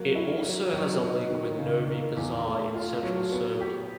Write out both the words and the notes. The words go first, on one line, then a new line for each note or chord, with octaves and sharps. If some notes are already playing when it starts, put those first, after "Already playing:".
It also has a link with Novi Pazar in Central Serbia.
Already playing: F#3 A#3
E4
F#3
F#3
D#4
D#3
C#3
A#3
E2
A3
F4
F#3
B3
G4